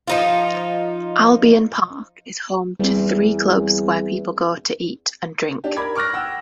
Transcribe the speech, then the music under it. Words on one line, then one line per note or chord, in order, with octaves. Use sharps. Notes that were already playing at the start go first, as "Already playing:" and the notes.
Albion Park is home to three clubs where people go to eat and drink.
F3 D#4 F4
E2 G3 C4
D4 G4
A#4 B5 D6 G#6
C#6 D6 F6 F#6 A#6
F#5 G5 E6